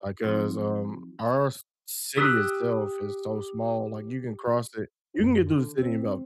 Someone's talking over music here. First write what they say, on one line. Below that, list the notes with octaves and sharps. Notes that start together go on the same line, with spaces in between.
like, 'cause, um, our c city itself is so small, like, you can cross it you can get through the city in about,
F3 F#3 C4 D#4 F4 F#4
G4 D#6 E6 F#6
F#2
D3
C4